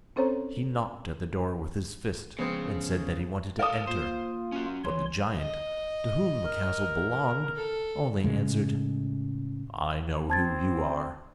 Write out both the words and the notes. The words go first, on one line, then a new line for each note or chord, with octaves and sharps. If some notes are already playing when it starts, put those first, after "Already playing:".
He knocked at the door with his fist, and said that he wanted to enter; but the giant, to whom the castle belonged, only answered: 'I know who you are.
C4 C#4 A4 C5 C#5 A#5
C#3 F3 G#3 B3 C4 C5 D#6
A4 A#4 F5 D#6
A#3 F4 C5
C#4 F#4
E3 F3 C#5 C6
D#5
A#4
A4
A2 C#3 G#3
C4 A5 G#6 A6